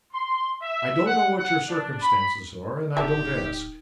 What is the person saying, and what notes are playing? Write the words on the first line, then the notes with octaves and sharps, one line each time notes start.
I don't know what your circumstances are, and I don't ask.
C6
E5
F#5
F#5
D4
B5
D1 D#4 G4 E5 A5